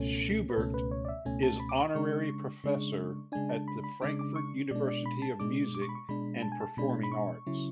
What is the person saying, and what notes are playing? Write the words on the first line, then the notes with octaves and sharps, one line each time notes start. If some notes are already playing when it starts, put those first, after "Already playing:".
Schubert is honorary professor at the Frankfurt University of Music and Performing Arts.
Already playing: C#2 B2 A3 C#4 A4
B4
C#2 B2 A3 C#4 A4
B4
C#5
D5
E5
C#2 B2 A3 C#4 G#5
A5
B5
D6
C#6
C#3 G#3 D4 C#6
C#3 G#3 D4
C#3 G#3 D4 G#5
A5
B5
B5
C#3 G#3 D4 D6
D6
C#6
B2 G#3 D4 D5
D5
B5
A5
B2 G#3 D4 D6
D6
C#6
B5
C#6
B2 G#3 D4 B5
A5
G#5
A5
B2 G#3 D4 B5
B5
C#6
C#3 F#3 C#4 E4